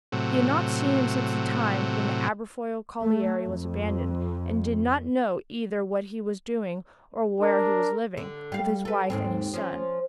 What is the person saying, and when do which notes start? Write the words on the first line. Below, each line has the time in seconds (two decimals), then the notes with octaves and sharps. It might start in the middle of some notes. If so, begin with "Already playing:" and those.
He had not seen him since the time when the Aberfoyle colliery was abandoned, and did not know either what he was doing or where he was living, with his wife and his son.
0.12 A2 C3 F#3
3.04 A3
3.44 F2
7.41 D4 A#4
8.17 D3
8.52 G3 F5
8.85 A4 B4
9.10 D#2 G#2 C4
9.54 F3 C#4